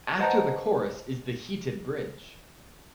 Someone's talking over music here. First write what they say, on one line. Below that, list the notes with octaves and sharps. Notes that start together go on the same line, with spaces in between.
After the chorus is the heated bridge.
B4 C5 D#5 F#5 A5 A#5